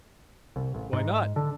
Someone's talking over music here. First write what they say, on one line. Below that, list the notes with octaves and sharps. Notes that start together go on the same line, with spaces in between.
"Why not?"
C2
A1
G#2
D3